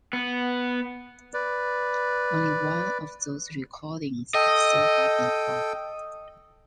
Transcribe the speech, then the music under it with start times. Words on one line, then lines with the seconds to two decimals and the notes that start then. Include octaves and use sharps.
Only one of those recordings has so far been found.
0.13 B3
1.34 B4 D5
4.34 A4 D#5 G5